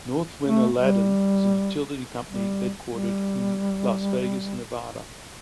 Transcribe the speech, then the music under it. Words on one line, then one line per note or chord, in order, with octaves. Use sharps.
Northwind Aladdin is a utility company headquartered in Las Vegas, Nevada.
A3
G3
G3
G3